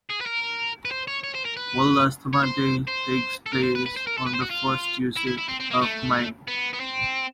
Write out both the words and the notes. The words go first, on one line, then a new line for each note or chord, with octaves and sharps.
World Asthma Day takes place on the first Tuesday of May.
G#4
B4
A#4
B4
C5
C#5
C#5
C5
A#4
B4
C#5
C5
C5
A4
A#4
C5
B4
B4
C5
A#4
A4
B4
C5
F#4
F4
E4
E4
E4
C4
C4
A#3
A3
B3
B3
C4